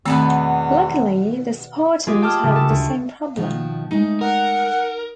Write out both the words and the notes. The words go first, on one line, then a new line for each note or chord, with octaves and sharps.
Luckily, the Spartans have the same problem.
E2 B2 D#3 A3 B3 C4 A4
G#3 F4 G4 G#4
G5 A5 D6 D#6 F6
C#3 G3 A3
A4
D2
B2 D#3 F3
G#3 A3 D#4
A#4 F#5